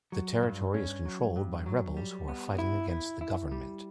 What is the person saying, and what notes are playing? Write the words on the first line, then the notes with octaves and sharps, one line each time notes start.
The territory is controlled by rebels who are fighting against the government.
F#3
G2
C#4
F#3
G2
F#3
G3
B3
E4
E4
E4
G3